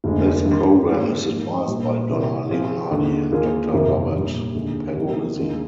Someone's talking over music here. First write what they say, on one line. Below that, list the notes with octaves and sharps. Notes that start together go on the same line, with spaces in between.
This program is advised by Donna Leonardi and Doctor Robert Pergolizzi.
F1 D#2 D3 G#3 D4
G2 D#3 G#3 C4 G4
G#2 G3 C4 G4 A#4
G#2 F3 A#3
A#1 A#2 G3
C2 C3 D#3 A#3
C3 F3 C4 F4 G#4
D#2 D3 G#3
D#2 D#3 A#3 F4 G#4
G1 F2 C3 D#3 A#3
A#1 A#2 G3
D#2 D3 G#3
C2 C3 F3 A#3
D#2 D#3 G#3 D4 F4